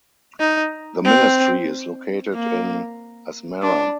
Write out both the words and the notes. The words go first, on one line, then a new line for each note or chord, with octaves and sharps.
The ministry is located in Asmara.
D#4
C4
A#3
D4